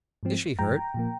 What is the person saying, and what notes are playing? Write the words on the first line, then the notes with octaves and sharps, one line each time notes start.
"Is she hurt?"
G#2 F3 C4
G2 F3 G#3 G5 A#5
A#2 F3 A#3